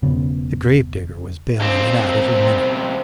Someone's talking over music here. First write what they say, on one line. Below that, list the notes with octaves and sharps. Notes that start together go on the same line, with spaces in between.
The gravedigger was baling it out every minute.
E1 C#3 B3
C#2 C4